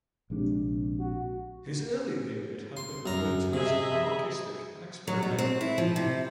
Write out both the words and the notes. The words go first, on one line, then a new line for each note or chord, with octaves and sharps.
His early period has been referred to as ", anarchistic and experimental".
A#1 C3 G#3 D4
F#4
C6
F#2 A#5
C3 G#4 D#5 E5
F#3
B2
C4
E4
F3
C3